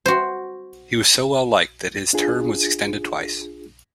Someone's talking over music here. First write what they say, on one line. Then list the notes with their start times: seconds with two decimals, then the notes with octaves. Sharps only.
He was so well-liked that his term was extended twice.
0.06 F#4 C5
2.13 D4 F4 G#4